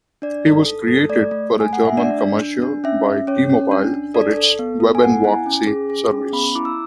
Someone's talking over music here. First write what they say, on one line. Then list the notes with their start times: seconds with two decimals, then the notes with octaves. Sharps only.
He was created for a German commercial by T-Mobile for its web'n'walk service.
0.22 D4 D5
0.45 A4
0.66 A4
0.88 A4
1.09 A3 D5
1.31 A3
1.53 A3
1.60 G#5
1.73 A3 F#5
1.85 E5
1.97 D4 D5
2.19 D4
2.41 D4
2.62 D4
2.84 C#4 E5
3.07 C#4
3.27 C#4 C#5
3.50 C#4
3.71 D4
3.94 D4
4.14 A4 D5
4.37 A4
4.59 B3
4.80 A4
4.95 G#5
5.02 B3 F#5
5.24 E4 G#5
5.46 C#4
5.67 G#4
5.90 G#4
6.12 C#4
6.32 B3 B5
6.55 E4 D6
6.65 E6